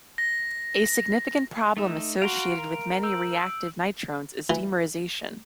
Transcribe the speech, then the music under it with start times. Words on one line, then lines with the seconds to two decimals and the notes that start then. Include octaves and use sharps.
A significant problem associated with many reactive nitrones is dimerization.
0.18 A#6
1.77 A3 D#4 E5
2.22 F#4 F5 A#5 C6 D7
2.58 A#4
3.03 E6 G6
4.50 E3